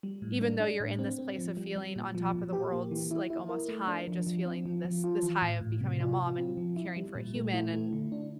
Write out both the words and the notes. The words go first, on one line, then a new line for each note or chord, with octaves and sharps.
even though you're in this place of feeling on top of the world, s like almost high, just feeling this this high of becoming a mom and caring for a human, and
G3
A2
D4
D4
A2
C4
C4
F3
G3
G3
A#2
F3
A#2
G4
A#3
E3
E4
E4
A#4
A3
D4
F3
F3
C4
F3
F3
F4
E3
A2
A2
C3
F4
F4
C4
F3
E4
G3
A#2
A3
E4
A3
D3
D4